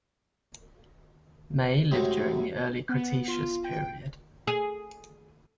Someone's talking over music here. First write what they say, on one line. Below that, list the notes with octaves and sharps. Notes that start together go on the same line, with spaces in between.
"Mei" lived during the Early Cretaceous Period.
F#2 A2 C3 G#3
B3
F4
G5
G#4